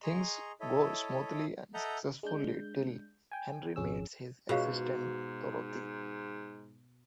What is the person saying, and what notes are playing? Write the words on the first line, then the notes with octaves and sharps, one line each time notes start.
Things go smoothly and successfully till Henry meets his assistant Dorothy.
G#4 D#5 A#5 C6 C#6
E4 A4 C#5 D#5 E5
A4 D#5 E5 F#5 A#5 G6
G#3 D4 G6
G5 G#5
G#1 F2 C#4 G#4 E6
G#2 B2 F4 F#4 G#4 F5